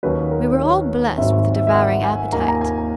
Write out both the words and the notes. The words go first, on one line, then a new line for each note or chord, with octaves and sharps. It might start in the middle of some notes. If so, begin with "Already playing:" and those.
We were all blessed with a devouring appetite.
D#2 D#3 F#3 C#4 B4
A#4
C#5
G#1 G#2 D#3 F#3 E5
E5
E5
F#5
G#5
D#2 D#3 A#3 A#5
G#5
A#5
G#5